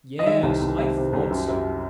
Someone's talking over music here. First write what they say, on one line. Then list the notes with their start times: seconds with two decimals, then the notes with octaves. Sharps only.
Yes, I thought so.
0.19 D#5
0.26 D#3 E5
0.43 C2
0.62 C2
0.78 C3 E5
0.96 C3
1.13 C2
1.31 F#2
1.48 F#2